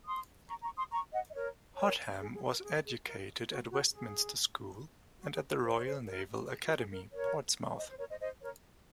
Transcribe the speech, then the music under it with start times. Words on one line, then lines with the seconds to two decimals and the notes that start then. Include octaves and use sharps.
Hotham was educated at Westminster School and at the Royal Naval Academy, Portsmouth.
0.06 C6 D#6
0.49 A#5 C#6
0.63 A#5 C#6
0.77 C6 D#6
0.92 A#5 C#6
1.13 D#5 F#5
1.31 D#5
1.35 A#4 C#5
1.77 A#4 C#5
2.20 G#4
2.35 G#4
2.49 A#4
2.59 F#4
2.63 G#4
2.85 G#4
3.06 A#4
3.49 F#4
3.70 F#4
3.92 G#4
5.21 F#4
5.35 G#4
5.49 A#4
5.63 C5
5.75 C#5
5.85 C5
6.07 A#4
6.49 G#4
6.63 F#4
6.78 G#4
6.92 A#4
7.13 A#4 C#5
7.78 C5 D#5
7.88 C5
7.99 A#4 C#5
8.10 C5 D#5
8.20 C5 D#5
8.42 A#4 C#5